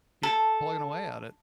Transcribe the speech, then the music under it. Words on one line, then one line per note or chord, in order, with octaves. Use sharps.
keep plugging away at it.
A4